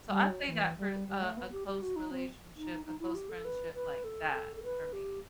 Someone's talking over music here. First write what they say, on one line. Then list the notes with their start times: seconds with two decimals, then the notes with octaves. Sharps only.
so I'd say that for a a close relationship, a close friendship like that for me.
0.08 G3
0.29 F#3
0.48 E3
0.77 G3
1.08 G3
1.22 A3
1.37 B3
1.52 G4
1.67 G4
1.82 F#4
1.96 D#4
2.11 C4
2.56 D#4
2.86 D#4
3.00 E4
3.14 G4
3.29 A4
3.45 B4
3.74 B4
4.04 A4
4.33 A4
4.56 A4
4.63 B4
4.93 G4